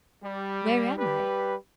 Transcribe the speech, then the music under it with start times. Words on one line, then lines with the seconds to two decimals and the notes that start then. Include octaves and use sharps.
"Where am I?"
0.23 G3
0.98 G3 G4 B4